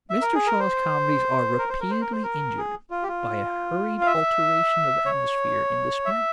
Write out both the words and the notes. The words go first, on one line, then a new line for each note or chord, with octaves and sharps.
Mr. Shaw's comedies are repeatedly injured by a hurried alteration of atmosphere in this manner.
E5
A#4
G#4
A#4
C5
A#4
C5
A#4
C5
A#4
C5
A#4
G#4
F4
G4
F4
F5
E5
C#5
E5